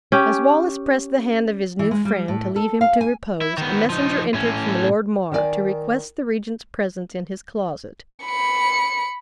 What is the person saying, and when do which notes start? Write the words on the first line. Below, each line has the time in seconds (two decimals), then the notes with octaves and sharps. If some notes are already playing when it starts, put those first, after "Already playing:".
As Wallace pressed the hand of his new friend, to leave him to repose, a messenger entered from Lord Mar, to request the regent's presence in his closet.
0.12 C#4 G4
1.79 E3
1.91 G#3
2.05 G3
2.28 A2
2.56 A4
2.81 F5
3.01 G#5
3.41 E4
3.58 D#3 B3
3.90 F3 D#4
4.34 A2 C#4
5.32 D#3 A#4 D5 G#5
8.25 B5 C#7